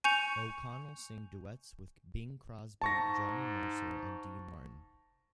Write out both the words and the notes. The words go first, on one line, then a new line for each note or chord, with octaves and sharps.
O'Connell sang duets with Bing Crosby, Johnny Mercer, and Dean Martin.
G#5 C#6 G6 C#7 F7
F1 G#2 A5 C#6 A#6